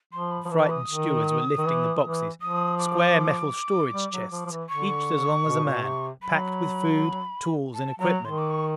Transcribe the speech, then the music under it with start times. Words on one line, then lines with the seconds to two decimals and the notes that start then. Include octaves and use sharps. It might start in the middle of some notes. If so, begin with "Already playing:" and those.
The frightened stewards were lifting the boxes, square metal storage chests each as long as a man, packed with food, tools, and equipment.
0.13 F3 C6
0.31 B5
0.45 F3
0.50 E3 A5
0.70 D#6
0.89 D#3
1.58 D#3
1.65 E3
2.03 E3
2.41 F3 D#6
2.79 D6
3.93 G3
4.12 F#3
4.31 F3
4.46 F3
4.51 E3
4.69 D3 C#6
5.46 B2
5.63 A#2
5.73 B2
5.84 C3
6.22 F#3 B5
7.74 A5
7.99 F#3 A#5
8.25 D#3 C6
8.38 D6
8.50 C#6